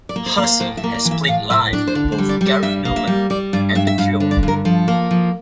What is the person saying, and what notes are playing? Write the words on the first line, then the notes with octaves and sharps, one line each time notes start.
Hussey has played live with both Gary Numan and The Cure.
D5
A#3
C5
A#3
C5
A2 C5
E5
A#3
D5
E3
E5
A2 F5
A2 E5
D4 D5
C5
D3 D5
C5
G3
D5
G3
D5
G2 E5
A#3
E5
G3
G3 D5
G2 D5
G2 E5
E5
G2 F5
D3
D5
G2
A#4
F3 A4
A#3
F3